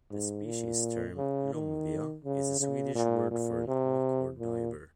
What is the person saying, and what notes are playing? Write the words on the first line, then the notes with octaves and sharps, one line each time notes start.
The species term "lomvia" is a Swedish word for an auk or diver.
G#2
A#2
C#3
D#3
C#3
C#3
A#2
A#2
C3
A#2